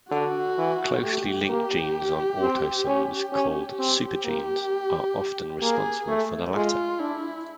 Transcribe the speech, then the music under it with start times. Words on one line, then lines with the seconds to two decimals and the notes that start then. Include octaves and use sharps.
Closely linked genes on autosomes called "supergenes" are often responsible for the latter.
0.11 D3 F#4
0.58 E3
1.03 A3 G4
1.49 A#3
2.41 C4
2.87 C#4
3.32 C#4
3.78 C4 G4
4.24 A#3
5.62 A#3 G#4
6.08 A3
6.54 G#3 F4
6.99 D4 E4